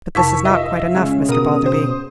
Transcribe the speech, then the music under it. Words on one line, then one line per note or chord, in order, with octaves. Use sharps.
But this is not quite enough, Mr. Balderby.
F2 C3 A5 C#6 E6 B6
F4 D#5 E5
C#3 G#3 C#4
B2 A#4 D#6
C5